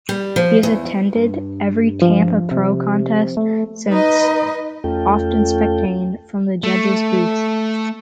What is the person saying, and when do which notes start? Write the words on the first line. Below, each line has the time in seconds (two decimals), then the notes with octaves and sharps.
He has attended every Tampa Pro contest since, often spectating from the judges' booth.
0.09 G3
0.36 F3
0.63 E2
1.16 G2
2.02 F3
2.51 C3
3.37 A3
3.89 D#4 B4 D#5
4.84 E2 A3 C#4 F4 A4 G5
6.64 A3